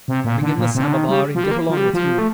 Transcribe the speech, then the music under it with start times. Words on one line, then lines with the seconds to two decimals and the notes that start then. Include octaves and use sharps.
Bring in the samovar, and get along with you.
0.08 C3
0.24 A#2
0.41 D3
0.58 A#2
0.75 C3
0.83 D3
0.92 D#3
1.09 G3
1.35 F3
1.44 G3
1.51 A#3
1.69 F3
1.77 G3
1.94 F3
2.18 A3